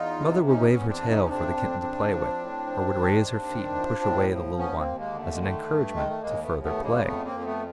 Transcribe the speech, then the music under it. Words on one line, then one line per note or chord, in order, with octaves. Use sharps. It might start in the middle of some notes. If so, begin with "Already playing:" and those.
The mother would wave her tail for the kitten to play with, or would raise her feet and push away the little one as an encouragement to further play.
Already playing: E2 D#4 F4
C3
E2 C#4 D#4
B3 C#4
E2
C4 D4
C3
C#4 D#4
D#4
F2 C4 D4
F2
C#3
F3
A2
F3
D#3
D#2
D#3
F3
A2
F3
D#2 B3 C#4
A#3 C4
D#2
G#3 A#3
D3
A3
G#3
D#3 A3
G2
D#3 G#3
A3
D#2 G#3 A#3
A3 B3
D#2
A3 B3
C#3
G#3 A#3
F2 A3 B3
A#3 C4
F2
C4
A3 B3